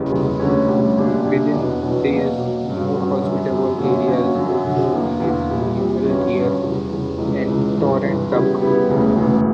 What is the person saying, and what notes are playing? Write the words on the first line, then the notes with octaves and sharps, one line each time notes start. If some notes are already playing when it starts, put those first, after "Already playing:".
Within these more hospitable areas also live huemul deer and torrent duck.
Already playing: F#1 E2 C#3 G3
F#1 E2 C#3 G3
D2 D3 G3 C#4
D2 D3 G3 C#4
F#2 D3 A#3 D4 G4
F#2 D3 A#3 D4 G4
E2 B2 F#3 B3 D4
E2 B2 F#3 B3 D4
B2 F#3 A#3
B2 F#3 A#3
G2 F#3 C#4
G2 F#3 C#4
F#2 D3 G3
F#2 D3 G3
F#2 D3 A#3 C#4 F#4
F#2 D3 A#3 C#4 F#4
F#2 D3 F#3
F#2 D3 F#3
E2 D3 A#3
E2 D3 A#3
A#1 A#2 G3
A#1 A#2 G3
G1 G2 F#3 C#4
G1 G2 F#3 C#4
E2 C#3 G3
E2 C#3 G3
C#2 C#3 E3
C#2 C#3 E3
G1 G2 E3
G1 G2 E3
C#3 G3 B3 E4 G4
C#3 G3 B3 E4 G4
E1 D2 C#3 E3
E1 D2 C#3 E3